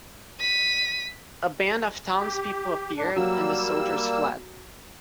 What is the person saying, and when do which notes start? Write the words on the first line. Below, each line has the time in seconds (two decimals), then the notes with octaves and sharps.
A band of townspeople appeared and the soldiers fled.
0.40 B6 D#7
2.19 G4
2.97 A2 D4
3.16 F#3 G3 A#3 E6